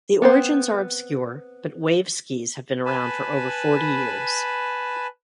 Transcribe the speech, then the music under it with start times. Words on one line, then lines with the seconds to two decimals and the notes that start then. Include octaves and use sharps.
The origins are obscure, but waveskis have been around for over forty years.
0.22 B3 C4 C5
2.86 B4 G#5 A5 B5